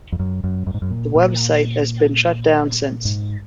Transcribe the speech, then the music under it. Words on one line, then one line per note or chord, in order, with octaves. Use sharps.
The website has been shutdown since.
F2
F#2
F#2
F#2
G#2
F#2
A#2
A#2
G#2